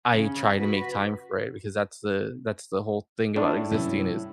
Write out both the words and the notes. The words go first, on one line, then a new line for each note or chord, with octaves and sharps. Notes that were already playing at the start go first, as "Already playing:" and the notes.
I try to make time for it because that's the that's the whole thing about existing is
C#3
F#4 B4
A2 D4
G2 C3 F#3 C#4 E4